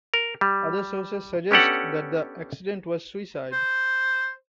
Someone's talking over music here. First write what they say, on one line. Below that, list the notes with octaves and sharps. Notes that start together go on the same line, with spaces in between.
Other sources suggest that the accident was suicide.
A#4
G3
B3 C#4 D4 G4 A4 F#5
C5